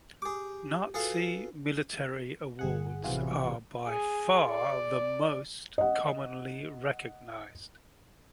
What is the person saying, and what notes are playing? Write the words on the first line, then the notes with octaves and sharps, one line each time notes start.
Nazi military awards are by far the most commonly recognised.
G4 G#4 D6
F4 F#4 G#4 A4 B4 F5
G1 G#4 F#5
A1 C3 E3 F4 F#4 G#4
G#4
D5
D#5 F#5